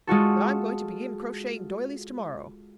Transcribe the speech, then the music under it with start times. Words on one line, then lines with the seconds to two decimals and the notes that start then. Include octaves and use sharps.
But I'm going to begin crocheting doilies tomorrow.
0.07 G#3 F4 F#4 A4